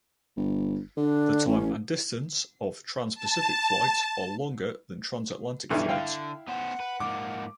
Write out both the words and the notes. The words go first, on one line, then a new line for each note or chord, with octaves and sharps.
The time and distance of transpacific flights are longer than transatlantic flights.
G1
D3 D4
A1 C#4
A5
B1 G2 E3 E4
D3 F5 G5
B3 C#4 C5 F#5
B4
G#2 F3 A#3 D6